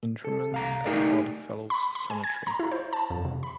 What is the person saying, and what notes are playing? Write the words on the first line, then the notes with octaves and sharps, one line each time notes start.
Interment at Odd Fellows Cemetery.
A4
C2 F5 A#5
A3 D#4 G4 G#4 A#4 D5
B5
B5
G#5
G#6
A#5
E4
C5
A5
F2
C3
B5